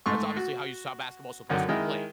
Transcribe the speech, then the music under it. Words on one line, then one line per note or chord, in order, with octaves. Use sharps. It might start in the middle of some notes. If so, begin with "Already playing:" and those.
That's obviously how you saw basketball supposed to be played.
G#2 A3 C6 C#6
F#4
F#2 D3 D#3
D#3 G#3 E4 A#4